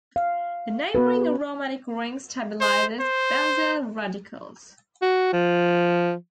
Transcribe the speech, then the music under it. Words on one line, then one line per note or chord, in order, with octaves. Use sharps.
The neighboring aromatic ring stabilizes benzyl radicals.
F5
B3 F#4 B4
C5
C5
F#4
F3